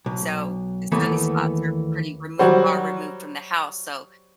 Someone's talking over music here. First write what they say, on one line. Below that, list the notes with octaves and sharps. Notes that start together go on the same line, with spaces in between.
So, the sunny spots are pretty removed are removed from the house, so
B1
D#2 E3 A3 B3
F#3 G3 F#4 C5